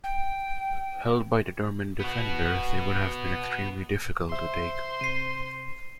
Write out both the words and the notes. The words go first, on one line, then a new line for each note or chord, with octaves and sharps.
Held by determined defenders, they would have been extremely difficult to take.
G5
B3 F#4
C#2 C5 E5 C6
C3 C7 D#7